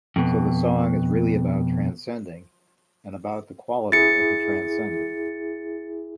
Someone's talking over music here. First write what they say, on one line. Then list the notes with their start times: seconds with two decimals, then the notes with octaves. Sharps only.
So the song is really about transcending and about the quality of the transcendent.
0.16 F2 B2
3.92 E4 G#4 A6 C#7